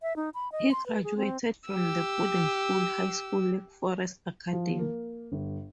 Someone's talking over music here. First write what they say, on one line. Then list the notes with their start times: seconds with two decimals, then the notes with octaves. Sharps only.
He graduated from the boarding school high school Lake Forest Academy.
0.02 E5
0.16 D#4
0.34 B5
0.52 D#5
0.72 C6
0.86 B4
1.04 G#4
1.17 C4
1.69 G4 E6
4.53 F3
4.78 A#3
5.32 G1